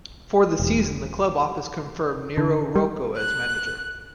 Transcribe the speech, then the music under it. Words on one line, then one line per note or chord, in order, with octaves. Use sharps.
For the season the club office confirmed Nereo Rocco as manager.
E1
D3
G3
F#6